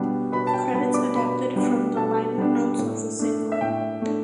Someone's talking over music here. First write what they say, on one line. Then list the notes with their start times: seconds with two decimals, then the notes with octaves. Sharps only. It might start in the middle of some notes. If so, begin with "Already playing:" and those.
Credits adapted from the liner notes of the single.
Already playing: B2 G3 B3 D4
0.32 B2 B4 B5
0.47 A5
0.53 G5
0.74 G3 B3 D4 B4 B5
0.94 D5 D6
1.15 B2 B4 B5
1.56 G3 B3 D4
1.96 B2 A4 A5
2.38 G3 B3 D4
2.78 A2
3.19 A3 D4
3.52 E5
3.61 A2 G5
4.02 A3 D4